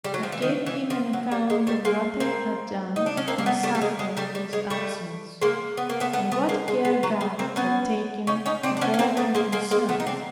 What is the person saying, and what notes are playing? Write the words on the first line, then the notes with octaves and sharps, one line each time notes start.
I gave him an account of what I had done and suffered in his absence, and what care God had taken of all my concerns.
G3
F#3
F3
E3
D#3
E3
F3
F#3
G3
G#3
G3 A3
G#3 A#3
A#3 C4
D#4
D4
C#4
A#3 C4
A#3
A3 B3
G3 A3
G3
G#3
G#3
G3 A3
G3
G#3
G3 A3
G#3 A#3
B3
A#3
A3 B3
A3 B3
A3 B3
G#3 A#3
G#3
G#3
F#3
G#3
A#3 C4
B3 C#4
C#4 D#4
C#4 D#4
C4 D4
D4
B3 C#4
C#4
A#3 C4
A3 B3
G#3 A#3
G#3 A#3
G#3 A#3
A3 B3
D#4
C4 D4